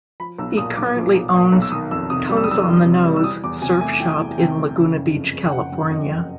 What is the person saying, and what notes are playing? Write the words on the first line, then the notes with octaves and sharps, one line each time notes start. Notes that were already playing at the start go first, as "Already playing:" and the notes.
He currently owns "Toes on the Nose" surf shop in Laguna Beach, California.
F3 B5
B1 E6
A#2 D#6
B1 D6
F3
B1
A#2
B1
E6
D#3 D#6
F2 E6
C3 D#6
G3
E6
D#6
D#3 E6
F2
C3
G3
E6
E3 D#6
E2 D6
C3 G#5
A3 G#5
E3 G5
E2
C3 G5
A3
C#3
F#1
F2
F#1
G5
C#3 F#5
F#1
F2 D#5
F#1